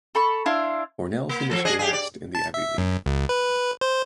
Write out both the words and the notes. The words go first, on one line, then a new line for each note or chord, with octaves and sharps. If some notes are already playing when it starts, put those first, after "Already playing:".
Cornell finished last in the Ivy League.
A4 B5 C#6
D4 E4 F5 C6
A#3
F3 A3 A4
D4 G#4 D#5
G4 G#4
D5
A5
E5
F#2
C#2
B4
C5